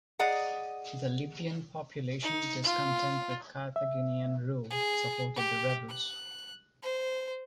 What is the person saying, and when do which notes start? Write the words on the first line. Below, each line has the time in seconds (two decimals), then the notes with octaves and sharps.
The Libyan population, discontent with Carthaginian rule, supported the rebels.
0.19 G#4 D5 D#5 F#5 A#5
2.22 D#4
2.63 F4
3.76 E5
4.70 G#4
5.36 G4
5.89 F#6
6.83 C5